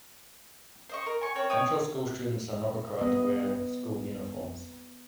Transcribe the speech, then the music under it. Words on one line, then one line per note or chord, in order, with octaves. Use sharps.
Crenshaw School students are not required to wear school uniforms.
C5 D#5 C#6
A#4
G#5 C#6
C4 A#4 C#5
C#5 G5 C#6 D#6
B3 D#5